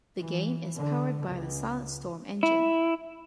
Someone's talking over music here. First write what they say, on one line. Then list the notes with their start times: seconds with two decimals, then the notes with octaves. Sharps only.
The game is powered by the Silent Storm engine.
0.17 E3
0.78 D3
1.27 C#2
2.43 E4